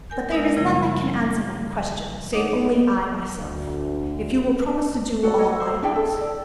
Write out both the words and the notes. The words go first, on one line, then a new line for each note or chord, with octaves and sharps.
But there is none that can answer that question save only I myself, if you will promise to do all I ask.'
A#4 G#5 G6
G#3 D#4 E4 A#4 A#6
F#2 C#3 F3 G3 A#3
D#4 C#5 D#5 F#5 D6 D#6
D2
F#4 A4
F#4 A4 C#5 D#5
C5
D4 E4 G#4 G5
A4
D5